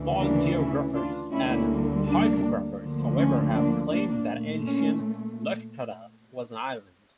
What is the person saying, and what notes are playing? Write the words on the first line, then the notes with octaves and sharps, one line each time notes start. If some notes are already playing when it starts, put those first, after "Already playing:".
Modern geographers and hydrographers, however, have claimed that ancient Lefkada was an island.
Already playing: D2 C#3 E3
A#3 D4
C#4 E4
D4 F4
D2 D3 G3 A#3 C#4 E4
A#3 D4
D2 D3 F3 A#3
C#4
A#3 D4
A#3 D4
A#2 A3
C#4